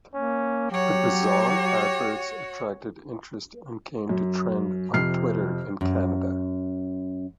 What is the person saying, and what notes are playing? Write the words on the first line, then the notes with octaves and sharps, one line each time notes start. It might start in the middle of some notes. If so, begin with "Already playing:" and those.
The "bizarre" adverts attracted interest and came to trend on Twitter in Canada.
A#3 C#4
F#3 F#4 G4 C#5
F#2
F2 C3 F6 C7
F#2